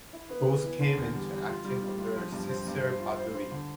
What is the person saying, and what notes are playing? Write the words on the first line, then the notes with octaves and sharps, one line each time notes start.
Bose came into acting under Sisir Bhaduri.
E4
B3
E3
E3
D3
E2
G3
G3
F4
G3
G3
F4
F3
G2
C4
G2
C5
F4
C5
C5
D3